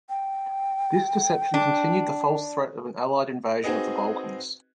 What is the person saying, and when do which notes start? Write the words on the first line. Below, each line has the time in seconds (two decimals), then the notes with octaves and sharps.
This deception continued the false threat of an Allied invasion of the Balkans.
0.09 G5
1.54 D4
3.64 C4 D#4 F#4 G#4 B4 D#5